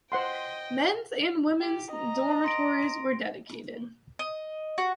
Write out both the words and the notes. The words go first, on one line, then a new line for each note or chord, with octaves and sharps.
Men's and women's dormitories were dedicated.
C5 D#5 F#5 G5 C6
G4
D#5 A#5
C6 A#6 D7
D#5
F#4